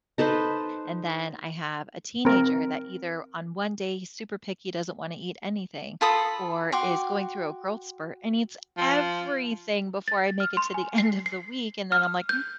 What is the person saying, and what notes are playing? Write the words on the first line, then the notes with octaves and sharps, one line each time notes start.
And then, I have a teenager, that either on one day, he's super picky, doesn't wanna eat anything, or is going through a growth spurt and eats everything before I make it to the end of the week, and then I'm like,
D#4 A4 B4 C5
C4 A#4
F4 A4 B5 D#6
F#4 G5 C6 D6
F3
A6
F6
C6
G#5
C7
C7
F6
G6